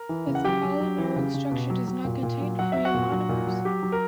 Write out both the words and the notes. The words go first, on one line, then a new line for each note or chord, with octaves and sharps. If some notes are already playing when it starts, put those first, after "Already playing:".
Its polymeric structure does not contain free monomers.
Already playing: A#4
E3
C#3
F#5
F#3 G4 G5
F#3
F#3
E3
C#3
C#3
B2
F#3
F#3
A#2
A#2
F#3
F#3 F#5
F#3 E5
F#4 F#5
A#2
F#3
A#2
F#3
F#3 G4
F#3
A#4